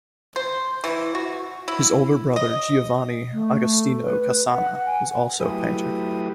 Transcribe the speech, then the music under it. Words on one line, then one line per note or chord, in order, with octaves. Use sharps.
His older brother Giovanni Agostino Cassana was also a painter.
C5
E3
F#4
E4
D#5
A3
B4
F#5
G#5
F#3 A3 E4 G4 B4 D#6